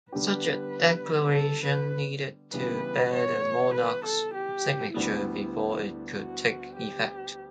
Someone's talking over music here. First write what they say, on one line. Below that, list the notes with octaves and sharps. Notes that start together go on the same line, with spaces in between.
Such a declaration needed to bear the monarch's signature before it could take effect.
D3 G3 B3 D4 G4 B4
A4
B4
C#3 E3 G3 B3 D4 B4
C#5
B4
A4
G4
D2 D3 G3 B3 E4
F#4
G4